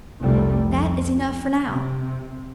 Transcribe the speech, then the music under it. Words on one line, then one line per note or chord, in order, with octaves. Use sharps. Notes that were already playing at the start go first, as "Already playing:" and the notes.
That is enough for now!
F1 C2 C3 G3 A3
F2
C3